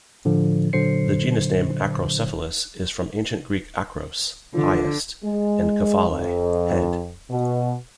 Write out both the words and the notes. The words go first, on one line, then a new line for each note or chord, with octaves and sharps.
The genus name "Acrocephalus" is from Ancient Greek "akros", "highest", and "kephale", "head".
A2 D3 F3
A#2 D3 F#3 C5 C7 C#7
D3 F3
G#3
F2
B2